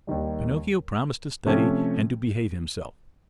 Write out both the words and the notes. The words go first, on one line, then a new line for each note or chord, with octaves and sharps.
Pinocchio promised to study and to behave himself.
D#2 D#3 G3
C3 F3 A3 C#4